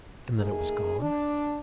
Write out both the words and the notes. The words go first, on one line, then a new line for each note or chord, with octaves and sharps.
'And then it was gone?'
A3 A#3 D#4 G#4
D4